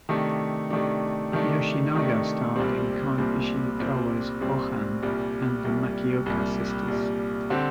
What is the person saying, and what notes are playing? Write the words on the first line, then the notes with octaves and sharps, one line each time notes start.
Yoshinaga starred in Kon Ichikawa's "Ohan" and "The Makioka Sisters".
C3 D#3 A3 D4
C3 D#3 A3 D4
C3 D#3 A3 D4
C3 D#3 A3 D4
C2 A#2 G3 C4
C2 A#2 G3 C4
C2 A#2 G3 C4
C2 A#2 G3 C4
C2 A#2 G3
C2 A#2 G3
C2 A#2 G3
C2 A#2 G3
D3 G3 C4 G4